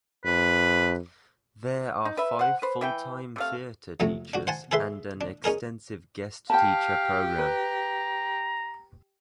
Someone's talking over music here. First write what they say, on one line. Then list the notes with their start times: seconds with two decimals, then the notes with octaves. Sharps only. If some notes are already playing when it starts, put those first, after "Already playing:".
There are five full time theater teachers and an extensive guest teacher program.
0.25 F2 B4
2.05 D#4
2.17 B4 E5
2.39 C5 F#5
2.62 B4 C5
2.81 E3 E5 G5
3.36 C3 A3 F5
4.00 F2 C3 F#3 A3
4.34 D4 F#4
4.47 C5 F#5 G#5 A5
4.71 G#4 A4 B4 E5 C6
5.21 D4
5.44 C#4 D#4 G#4 A#4
6.50 G4 F5 G5 A5
7.39 B4 A#5